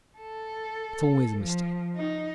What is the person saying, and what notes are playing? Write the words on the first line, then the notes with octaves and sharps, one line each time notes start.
That's always a mistake.
A4
F3
D#4